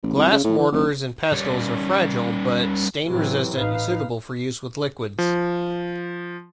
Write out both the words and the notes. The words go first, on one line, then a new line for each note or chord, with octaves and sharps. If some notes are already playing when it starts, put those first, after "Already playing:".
Glass mortars and pestles are fragile, but stain-resistant and suitable for use with liquids.
A1
C2
C#3
A2
E3
F#1
G3 C#4
A2 C3 E3 F#3
A1 D#4 B4 F5
F3